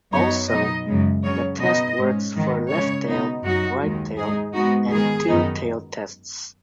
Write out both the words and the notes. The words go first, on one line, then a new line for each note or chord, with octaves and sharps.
Also, the test works for left-tailed, right-tailed, and two-tailed tests.
F#2 F#3 B3 D#4 C#5
B2 F#3 B3 D#4 D#5
F#2 C#3 G#3
C#3 F#3 C#4 C#5
B2 B3 D#4 D#5
G#2 G#3 C#4
G#2 D#3 B3
C#3 G#3 C#4 C#5
B2 B3 D#4
F#2 F#3 D#4 F#4
D#2 D#3 G#3
G#2 G#3 D#4 G#4
G#2 G#3 B3 D#4 F#4
G#2 D#3 B3 G#4
F#2 D#3 B3 D#4